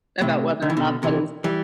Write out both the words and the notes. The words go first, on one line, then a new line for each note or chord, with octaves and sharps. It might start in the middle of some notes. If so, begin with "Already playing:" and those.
about whether or not that is
A2 C3
D3
E3
B2 D3
C3 E3
E3 G3